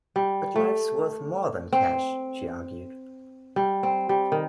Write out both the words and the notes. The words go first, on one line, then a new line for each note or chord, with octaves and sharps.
But life's worth more than cash, she argued.
G3
A3
C4
G3
C4
G3
D#3